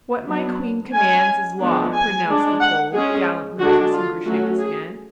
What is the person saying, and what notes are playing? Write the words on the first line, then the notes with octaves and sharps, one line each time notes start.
"What my queen commands is law!" pronounced the Pole, gallantly kissing Grushenka's hand.
F#3 B3 D4
G#3 C#4 G#5
F3 G#3 B3 D4
G#5
G#3 D4
F#5
G#3 C#4 G#4
D3 G#3 D4 F#4
F4
F#3 A3 C#4 F#4
G#4